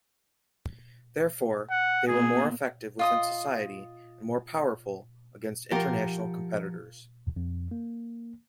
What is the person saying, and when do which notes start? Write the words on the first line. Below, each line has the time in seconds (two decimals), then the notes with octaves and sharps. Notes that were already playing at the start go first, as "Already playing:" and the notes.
Therefore, they were more effective within society and more powerful against international competitors.
1.71 F#5
2.08 A#2 B3 G#4
2.99 F4 D#5 D#6
5.72 F3 F4 G4 A#4 F#5 A#5
7.36 F2
7.71 A#3